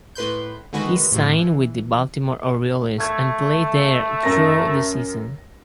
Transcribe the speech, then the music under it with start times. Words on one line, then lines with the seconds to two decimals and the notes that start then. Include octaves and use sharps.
He signed with the Baltimore Orioles and played there through the season.
0.15 A2 B4 C6 G6
0.73 D3 D#3 G#3 F#4 B4
1.12 A2 C3 F3
1.38 E3
3.00 A3 G#6
4.23 F#2 A#4 A#6